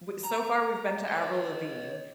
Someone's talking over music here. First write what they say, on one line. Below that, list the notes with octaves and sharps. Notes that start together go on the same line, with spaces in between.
w so far we've been to Avril Lavigne,
A#5
C#5 D#5